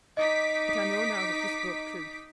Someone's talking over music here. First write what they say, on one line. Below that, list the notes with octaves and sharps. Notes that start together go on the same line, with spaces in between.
But I know now that you spoke truth.
D#4 D#5 D6 B6